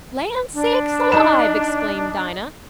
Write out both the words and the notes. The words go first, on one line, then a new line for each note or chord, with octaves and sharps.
"Land sakes alive!" exclaimed Dinah.
D4
D#4 E7